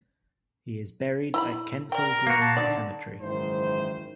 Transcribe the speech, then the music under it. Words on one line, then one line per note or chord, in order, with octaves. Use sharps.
He is buried at Kensal Green Cemetery.
E4 A#5 B5
A#4 D5 G5
A#3 F#4 A#5
A5
D3 D#4 D5
F#1 G#2 D#3 E3 C5